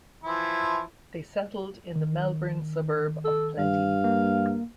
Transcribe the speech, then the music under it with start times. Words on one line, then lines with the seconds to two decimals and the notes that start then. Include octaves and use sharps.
They settled in the Melbourne suburb of Plenty.
0.24 E3 F3 E4
1.96 D#3
3.25 A4
3.59 G2 F5
4.04 A#3